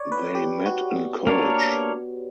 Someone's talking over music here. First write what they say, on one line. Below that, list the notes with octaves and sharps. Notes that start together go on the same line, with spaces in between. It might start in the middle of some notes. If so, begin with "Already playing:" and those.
They met in college.
Already playing: C#5 D5
B4
G4
F#4
B3
A#3 D4 A#4 C#5